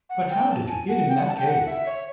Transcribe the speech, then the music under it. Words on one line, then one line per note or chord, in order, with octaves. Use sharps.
"But how did you get in that cave?"
F#5
G5
A5
G#5
F#5
G5
F#5
A5
G5
F#5
E5
C#5